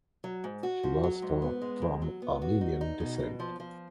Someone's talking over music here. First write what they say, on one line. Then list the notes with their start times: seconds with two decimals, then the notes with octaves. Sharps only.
She was from Armenian descent.
0.24 F#3
0.44 G#2
0.63 F#4
0.83 F3
1.04 F#3
1.22 G#2
1.42 B3
1.62 G#3
1.82 F2
2.02 F#3
2.22 B3
2.42 F#4
2.61 D#4
2.81 D#4
3.00 B2
3.20 B2
3.40 F3
3.60 F3